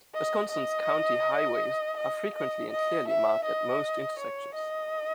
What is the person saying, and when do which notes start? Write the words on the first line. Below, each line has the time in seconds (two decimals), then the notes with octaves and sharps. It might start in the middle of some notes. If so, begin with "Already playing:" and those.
Wisconsin's county highways are frequently and clearly marked at most intersections.
0.14 D#5
0.51 D#5
1.97 D#5
2.35 D#5
2.71 D#5
3.08 E5
3.45 D#5
4.19 C#5
4.55 D#5